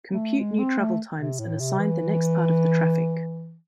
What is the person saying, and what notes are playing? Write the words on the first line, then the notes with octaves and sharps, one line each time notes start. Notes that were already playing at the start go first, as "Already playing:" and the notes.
Compute new travel times and assign the next part of the traffic.
A3
G#3
C4
A3
C3
A2
C3
E3